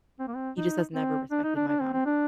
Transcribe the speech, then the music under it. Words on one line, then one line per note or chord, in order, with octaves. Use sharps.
he just has never respected my boundaries.
C4
A#3
C4
D#4
C4
D4
D#4
D4
D4
C4
C4
D4